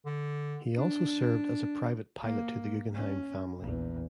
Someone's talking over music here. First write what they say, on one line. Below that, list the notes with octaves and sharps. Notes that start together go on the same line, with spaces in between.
He also served as a private pilot to the Guggenheim family.
D3
D4
A#3
C#4
A#1 E2